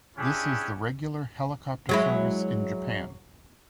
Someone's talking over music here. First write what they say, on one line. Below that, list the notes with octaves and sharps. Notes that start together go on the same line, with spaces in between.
This is the regular helicopter service in Japan.
C#4 D4 E4 G4 G#4
F#3 G#3 E4